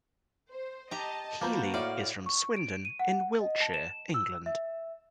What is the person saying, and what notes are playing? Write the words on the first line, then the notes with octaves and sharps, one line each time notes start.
Healey is from Swindon in Wiltshire, England.
C5
G4 D#5 A5 A#5
F3 A#3 F#4 B4 G6
A2 D5 F5
C#6
D7
D#7
F#5
D#5
A5
E7
E6
E5